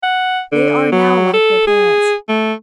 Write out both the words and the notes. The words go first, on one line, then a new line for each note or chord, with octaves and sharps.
They are now like their parents.
F#5
D3
F#3
A4
G#4
A3